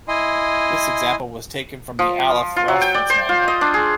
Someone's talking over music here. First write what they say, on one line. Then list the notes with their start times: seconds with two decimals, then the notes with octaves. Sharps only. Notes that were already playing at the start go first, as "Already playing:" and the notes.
This example was taken from the Alef reference manual.
0.08 E4 D#5 G#5 C6
1.99 F3
2.56 F4
2.68 F#3
2.82 G5
2.94 D5
3.10 C5
3.29 F4
3.48 D#5
3.61 D4
3.74 G#4